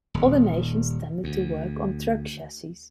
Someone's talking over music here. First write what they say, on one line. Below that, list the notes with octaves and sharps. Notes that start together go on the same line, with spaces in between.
Other nations tended to work on truck chassis.
D#1
D2